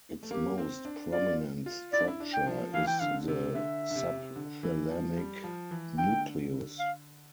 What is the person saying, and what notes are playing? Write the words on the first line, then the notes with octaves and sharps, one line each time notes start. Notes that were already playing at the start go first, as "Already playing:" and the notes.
Its most prominent structure is the subthalamic nucleus.
A3
A#3 G4
C4
D4
F4 D5
F4
E4 D5
D4
E4
D4
G5
F3
E3 F5
G5
D3 F5
C3
D3 E5
D3
C3
D3
E3
F3
G3
F3
E3
D3 G5
F5